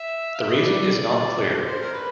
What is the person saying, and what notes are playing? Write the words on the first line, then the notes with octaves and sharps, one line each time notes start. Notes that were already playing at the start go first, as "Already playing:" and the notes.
The reason is not clear.
Already playing: E5
F5
E5
D#5
A4 B4 D5
C5
A#4
B4